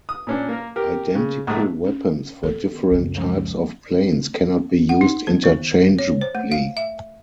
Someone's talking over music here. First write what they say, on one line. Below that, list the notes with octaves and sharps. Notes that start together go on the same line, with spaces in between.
Identical weapons for different types of planes cannot be used interchangeably.
D#6
A#2 C#4 D4
A#3 A#4
G4 A#4
C#3
A#1 G#2 A3
C#4 D4
D#3 B3 A4
C#2 F#2
F3 G#3 C#4
F#5
D#4
B3
D#3
C#5
C5
A3
F5
E5